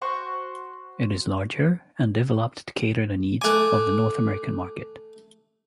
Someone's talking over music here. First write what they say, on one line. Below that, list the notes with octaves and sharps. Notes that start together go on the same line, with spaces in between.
It is larger and developed to cater the needs of the North American market.
F#4 C5 C#6
A3 G#5 D6 F#6